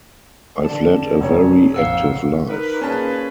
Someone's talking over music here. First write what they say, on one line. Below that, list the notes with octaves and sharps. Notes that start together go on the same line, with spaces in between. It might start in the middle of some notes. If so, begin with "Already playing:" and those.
I've led a very active life.
D3 A5
F1 C#5
A#1 F2 F5 F#5 E6
D#4 A#4 B4
A#2 C#4 G#4 B4 A5